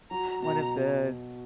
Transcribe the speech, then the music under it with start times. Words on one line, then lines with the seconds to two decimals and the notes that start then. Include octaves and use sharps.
one of the,
0.11 F#3 A#5
0.42 B2 A#5